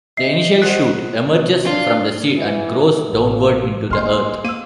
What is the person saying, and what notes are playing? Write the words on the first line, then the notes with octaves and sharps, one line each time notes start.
The initial shoot emerges from the seed and grows downward into the earth.
D#4 E5 C7
D#3 G#4 C5 F#5 F#6
C2
D4 F4
E3
A1 A#3
G#3 A#3 C6 F6
A#3 E6 D#7